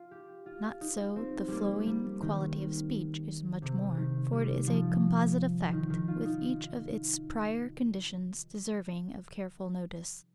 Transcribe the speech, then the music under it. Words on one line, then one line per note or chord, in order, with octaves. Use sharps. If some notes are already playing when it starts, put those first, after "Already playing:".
Not so--the flowing quality of speech is much more, for it is a composite effect, with each of its prior conditions deserving of careful notice.
Already playing: F4
G4
F4
D#4
C4
G3 A#3
G3
D#3
C3
D#3
G3
F3
D#3
D#3
F4
D#4